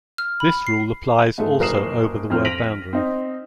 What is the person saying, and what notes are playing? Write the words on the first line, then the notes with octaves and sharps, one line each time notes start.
This rule applies also over the word boundary.
F6
B5
C7
G#2 G#3 A3
F#1 A#4 D#6 C7 E7 F#7
F2 C4 F6
A#6 B6 D7 D#7 F7 F#7
C4 D#4